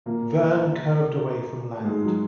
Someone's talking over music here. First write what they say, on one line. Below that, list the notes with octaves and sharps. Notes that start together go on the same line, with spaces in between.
Verne curved away from land.
A#2 A#3
A3
G#2 G#3
F#3